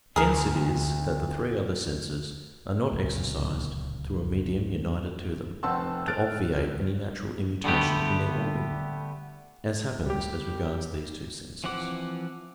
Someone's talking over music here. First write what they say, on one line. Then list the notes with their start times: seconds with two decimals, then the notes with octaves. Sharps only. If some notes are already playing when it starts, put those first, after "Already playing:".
Hence it is that the three other senses are not exercised through a medium united to them, to obviate any natural immutation in their organ; as happens as regards these two senses.
0.16 D2 G#4 A#4
2.91 D1 C#2 A#2
5.63 F1 C4 F#5 A5 C6 E6
6.07 F6 F#6 A6 D7
7.64 D3 G3 A3 B3 G4
10.06 G3 G4
11.64 E3 F3 C4 F#5 D6